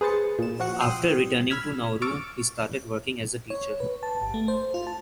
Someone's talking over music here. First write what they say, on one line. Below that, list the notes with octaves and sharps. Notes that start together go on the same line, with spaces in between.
After returning to Nauru, he started working as a teacher.
G#4 B4 C5 A6 C#7
A#2 E7
F3 F#4 F#5 C#6 C#7
G5 C6 D#6 E6 F#6
B5 E6 F6 G#6 B6
C#6 D6 E6 F6 A6 D7
C#5
B4
A5
G1
A3
C5
F4
A5